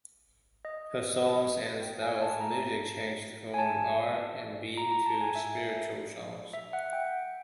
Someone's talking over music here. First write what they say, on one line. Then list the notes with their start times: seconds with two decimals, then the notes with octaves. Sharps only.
Her songs and style of music changed from R and B to spiritual songs.
0.65 D#5
1.82 G5
2.02 G#5
2.22 A5
2.41 A#5
3.54 G#5
3.59 A5
4.77 A#5
4.92 A#5
5.06 A5
5.21 G#5
5.35 E5
6.54 E5
6.73 F#5
6.93 G5